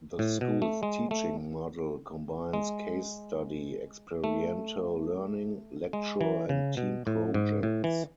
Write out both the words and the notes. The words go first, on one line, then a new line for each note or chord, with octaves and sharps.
The school's teaching model combines case study, experiential learning, lecture and team projects.
A2
B2
A3
G#3
A3
G#3
A3
G#3
E3
C#3
B2
A2
G#2
A2
E3